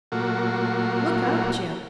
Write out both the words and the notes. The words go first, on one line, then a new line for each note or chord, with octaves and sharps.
'Look out, Jim!
A#2 F#3 A3 A#3 F4 F#4